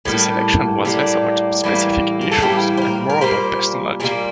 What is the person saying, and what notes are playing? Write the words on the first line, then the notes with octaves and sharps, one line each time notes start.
The election was less about specific issues and more about personality.
A2 G3 A#3 A4
A2 G3 A#3
A2 E3 G3 A#3
A#4
A4
A2 E3 G3 A#3 G4
C5
A#4
A#4
A#2 G3 A#3 C5
A#2 G3 A#3 A#4